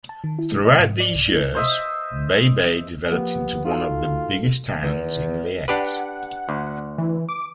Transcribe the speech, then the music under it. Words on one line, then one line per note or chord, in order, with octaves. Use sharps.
Throughout these years, Baybay developed into one of the biggest towns in Leyte.
A5
D#3
E4
G#3
D#5
G#2
D5
C2
E4
C5 D#5 E5
F3 A#3 B3 G4
D#4 F4 F#4 A4
E2 D#3
D4 G4 B4 F#5
D2
E3
D6